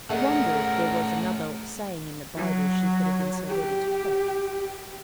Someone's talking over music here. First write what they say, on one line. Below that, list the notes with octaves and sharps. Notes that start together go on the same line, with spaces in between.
I wonder if there was another saying in the Bible she would have been so ready to quote!
A3 C#4 G#4 A#4 D5 E5 F#5
F#3
G4